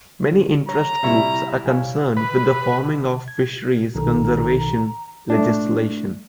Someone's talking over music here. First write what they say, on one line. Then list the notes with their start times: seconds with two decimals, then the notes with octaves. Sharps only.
Many interest groups are concerned with the forming of fisheries conservation legislation.
0.21 D3
0.69 C#5 A#5
1.03 C3 G3 E4 E5 C#6
1.66 C#5 F5 G#5
2.17 B4
3.28 G#6
3.95 B1 D#3 A4 A#5
5.30 A3 D4